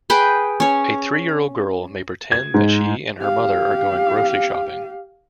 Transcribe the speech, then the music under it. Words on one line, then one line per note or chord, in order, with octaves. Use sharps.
A three-year-old girl may pretend that she and her mother are going grocery shopping.
G#4 B4 G5
C#4 C#5
G#6
G#2
G4 F5